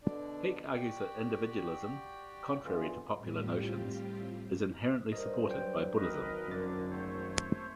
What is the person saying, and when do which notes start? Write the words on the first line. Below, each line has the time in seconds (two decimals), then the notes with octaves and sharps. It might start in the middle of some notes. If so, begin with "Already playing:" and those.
Peek argues that individualism, contrary to popular notions, is inherently supported by Buddhism.
0.03 B2 D3 D4 D5
0.73 F#4 G4 D5 G5
2.63 F2 D3 E3 G#3 B3 F4
3.16 A2 G3 C4 F4 G4
5.13 G2 A#4 C5 D#5
5.49 F#3 G5
5.96 G#1 A#4 B4 D#5
6.48 F#2 D3 A6
6.90 A3 C5 C#5